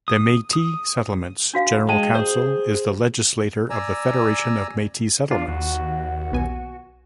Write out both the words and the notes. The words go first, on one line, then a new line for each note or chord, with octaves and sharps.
The Metis Settlements General Council is the legislator of the Federation of Metis Settlements.
D#6
D#6
D4 F#4 F5
G#3 G5 A5
G#4 C5
D5 G#5 A#5 E6
D4 F4 D5
D#2 F#4
B1 B3 G#5